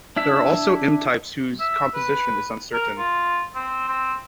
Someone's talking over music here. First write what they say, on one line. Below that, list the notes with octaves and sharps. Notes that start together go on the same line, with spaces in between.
There are also M-types whose composition is uncertain.
D4 E4 E5
E5
B4
A#4
F4
C4
C4